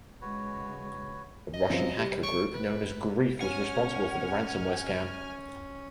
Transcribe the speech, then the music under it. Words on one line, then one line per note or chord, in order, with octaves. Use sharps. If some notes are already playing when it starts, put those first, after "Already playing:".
A Russian hacker group known as Grief was responsible for the ransomware scam.
C#3 G#3 F#4 B4 C#5
D#5
F#2 F3 C4
G3
C#6 D7
B4
C#4 C#5 F#5 G#5 F6